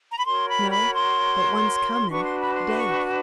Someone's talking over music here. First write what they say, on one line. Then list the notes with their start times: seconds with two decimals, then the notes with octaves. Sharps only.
"No, but one's comin'--Dave."
0.11 A#5
0.18 B5
0.25 F#4 A#4 C#5 C6
0.48 B5
0.72 B5
0.94 C6
2.08 D4 F#4 B4 C#6
2.24 C6
2.39 B5
2.54 C6
2.77 C#6